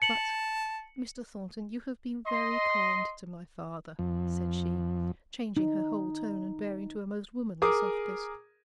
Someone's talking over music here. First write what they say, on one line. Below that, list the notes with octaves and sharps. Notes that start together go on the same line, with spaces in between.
But, Mr. Thornton, you have been very kind to my father,' said she, changing her whole tone and bearing to a most womanly softness.
A5 C#7 F#7
D#5 C6
F2
D#4
G#4 A#4 D6 D#6